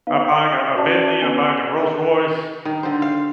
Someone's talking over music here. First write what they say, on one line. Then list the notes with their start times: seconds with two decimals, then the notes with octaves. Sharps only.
I'm buying a a Bentley and i'm buying a Rolls Royce.
0.07 B3 D#4 F5
0.25 G5 C#6
0.76 C#4 F#4 D5 A5
1.21 B3 C#4 D4 G#5
2.65 D#3
2.83 D3 C5
3.02 F5